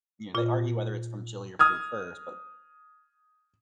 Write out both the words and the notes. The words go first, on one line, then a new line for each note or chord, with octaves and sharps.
you know, they argue whether it's from Chile or Peru first, but
A#2 F4
D#6 F6 G#6